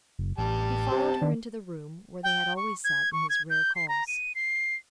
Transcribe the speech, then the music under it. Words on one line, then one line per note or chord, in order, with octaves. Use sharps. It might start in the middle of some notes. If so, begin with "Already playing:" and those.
He followed her into the room where they had always sat in his rare calls.
F#1
A1 G3 G4 A5
C3
D#3 D4
G5
C#6
G#6
C#6
G#6
G6
C7
A#5
D#7
C7